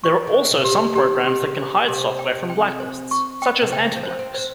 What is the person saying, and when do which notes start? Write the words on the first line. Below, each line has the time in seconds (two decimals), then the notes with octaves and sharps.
There are also some programs that can hide software from blacklists, such as Anti-blaxx.
0.04 G3 C#6
0.27 D#3
0.34 C5
0.50 C3
0.57 C#3
0.64 C3 G4
0.72 C#3
0.95 D#3 G4
1.26 G4
1.42 C#3
1.57 C5
1.88 C3 G4
2.19 G5
2.50 G5
2.80 C5
3.11 C#6
3.42 G5
3.62 C3
3.72 C#3 G5
3.96 F3
4.03 C5
4.19 C4
4.34 C4 C5